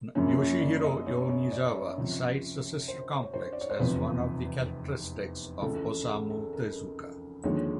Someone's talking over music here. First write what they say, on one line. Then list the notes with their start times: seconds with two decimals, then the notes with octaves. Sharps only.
Yoshihiro Yonezawa cites the sister complex as one of the characteristics of Osamu Tezuka.
0.15 F#2 C#3 F3 A#3 C#4 C#5
0.38 C#5
0.61 D5
0.84 D#5
1.06 C#5
1.29 C#5
1.52 D5
1.75 C#5
1.98 C#2 C3 F3
2.88 C5
3.23 C#5
3.34 C5
3.53 D5
3.61 C#5
3.71 C5
3.79 F1 E2 C3 F3 B4
5.62 C#2 C#3 E3 A3 C#4 A4
5.84 A4
6.07 G#4
6.30 A4
6.53 A#4
7.44 D#2 D3 F3 G#3 C#5